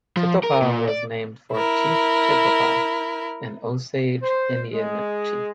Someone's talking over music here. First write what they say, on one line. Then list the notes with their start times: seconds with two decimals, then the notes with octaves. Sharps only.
Chetopa was named for Chief Chetopah, an Osage Indian chief.
0.17 F3
0.44 A#4
0.62 A#2
0.89 D5
1.53 E4 A#4
4.23 C5
4.74 G#3